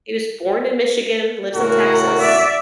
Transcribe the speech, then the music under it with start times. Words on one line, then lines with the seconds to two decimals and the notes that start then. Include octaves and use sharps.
He was born in Michigan, lives in Texas
1.54 A2 C#3 F#4 A#4
2.20 D5 E5